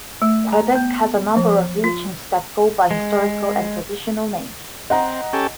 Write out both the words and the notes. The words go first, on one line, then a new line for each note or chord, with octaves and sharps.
Quebec has a number of regions that go by historical and traditional names.
A3
A#5
B3
F3
F4
G#3
C4 D#5 F#5 A#5
C#4 G4 A4